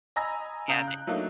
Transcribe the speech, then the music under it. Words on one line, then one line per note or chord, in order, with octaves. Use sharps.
Yea, they
D#5 G#5 A#5 B5 E6 A#6
C#3 F5 A#5 D#6 G6 D7
F#6
F#3 A3 A#3 D4 D#4